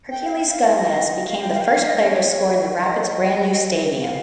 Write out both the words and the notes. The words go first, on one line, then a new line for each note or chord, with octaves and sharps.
Herculez Gomez became the first player to score in the Rapids' brand new stadium.
G5
F5
G5
F5
D#5
D#5
F5
G5
F5
G5
F5
D#5
C#5
D#5
F5